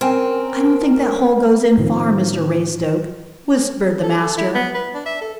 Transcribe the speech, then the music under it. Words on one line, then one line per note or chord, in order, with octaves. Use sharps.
"I don't think that hole goes in far, Mr Raystoke," whispered the master.
C4 C#4 A#4 G5 G#5
A2 D#3 F3 C4
A4
A4
E4
B3
B4
D4
E5
A4